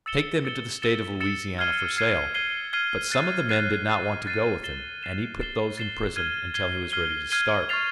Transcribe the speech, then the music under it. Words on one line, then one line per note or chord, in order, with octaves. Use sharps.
He was to take them into the state of Louisiana for sale, but some of the men did not want to go with him, and he put those in prison until he was ready to start.
E6 A6 C#7 E7 G7
E6 A6 C#7 E7 G7
E6 A6 C#7 E7 G7
E6 A6 C#7 E7 G7
F6 G#6 C7 D#7 G7
F6 G#6 C7 D#7 G7
F6 G#6 C7 D#7 G7
F6 G#6 C7 D#7 G7
F#6 A6 C7 D#7
F#6 A6 C7 D#7
F#6 A6 C7 D#7
F#6 A6 C7 D#7
A6 C7 E7 G7
A6 C7 E7 G7
A6 C7 E7 G7
A6 C7 E7 G7
F6 G#6 C7 D#7 G7
F6 G#6 C7 D#7 G7
F6 G#6 C7 D#7 G7
F6 G#6 C7 D#7 G7
C#6 F6 A6 C7 F7